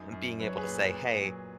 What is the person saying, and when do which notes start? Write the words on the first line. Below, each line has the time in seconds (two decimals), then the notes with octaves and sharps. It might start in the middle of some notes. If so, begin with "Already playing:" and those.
being able to say, "Hey,
Already playing: F#2 D#4
0.12 F#2
0.40 F#3 B4
0.49 C#5
0.57 G#4 B4
0.67 A#2
0.93 A#2
1.20 F#3